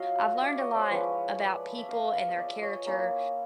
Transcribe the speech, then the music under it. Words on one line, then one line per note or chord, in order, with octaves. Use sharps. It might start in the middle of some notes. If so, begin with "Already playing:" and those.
I've learned a lot about people and their character
Already playing: F#3 F4 C#5 D#5 F5
D#5
D5 E5
C#5 D#5
C5 D5
F3 G#3 C#4 E4 B4 C#5
D5 E5
E5
D#5 F5
D#5
D5 E5
E5
C#5 D#5
A#3 C#4 E4